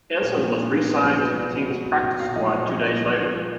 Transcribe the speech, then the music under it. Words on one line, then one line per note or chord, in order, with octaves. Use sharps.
Henson was re-signed to the team's practice squad two days later.
A#2 A#3
F3 A#3
A#2 D4
F3 B3
A#2
F3 G#4
B2 B4
B2 D5
B2
B2
B2
B2
A#2 F5
F3 D#5
A#2
F3 D#5
A#2
F3
A#2
F3